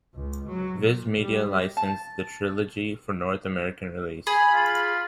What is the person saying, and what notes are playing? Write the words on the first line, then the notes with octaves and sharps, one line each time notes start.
Viz Media licensed the trilogy for North American release.
C#2
F#3
A#2
G3
A5
G#4 B5
F4